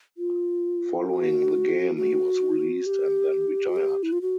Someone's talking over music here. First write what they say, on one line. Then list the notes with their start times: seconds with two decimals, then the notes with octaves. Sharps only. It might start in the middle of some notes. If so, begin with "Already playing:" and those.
Following the game he was released and then retired.
0.17 F4
1.07 F#4
1.96 F#4
2.86 G4
3.69 F#4
3.76 G4
4.03 E4
4.12 F4
4.22 F#4